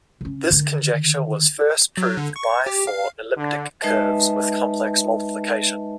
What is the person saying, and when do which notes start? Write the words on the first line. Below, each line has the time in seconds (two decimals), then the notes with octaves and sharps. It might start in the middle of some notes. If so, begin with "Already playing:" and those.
This conjecture was first proved by for elliptic curves with complex multiplication.
0.21 C#3 C#4
0.51 D3 D#3
1.97 F#3
2.17 D3
2.36 C#6
2.66 G4
2.87 F5
3.37 D3
3.82 G#3 D#4 B4 D#5 E5 A5